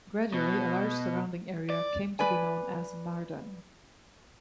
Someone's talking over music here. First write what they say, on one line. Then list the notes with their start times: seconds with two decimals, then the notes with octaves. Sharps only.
Gradually, a large surrounding area came to be known as Mardan.
0.34 B2
1.70 D5
2.19 B4 D5 G#5